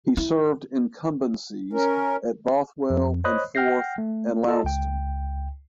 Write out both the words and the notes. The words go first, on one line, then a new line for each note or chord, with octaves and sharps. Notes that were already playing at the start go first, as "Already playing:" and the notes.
He served incumbencies at Bothwell and Forth and Launceston.
E4
C#4 A#4
F2
C5 C#5 D#5 B5 D#6 F#6
F#5 G5 F6 G6 A#6 C7
A3
F4 A4 D#5 A5
C#2 G5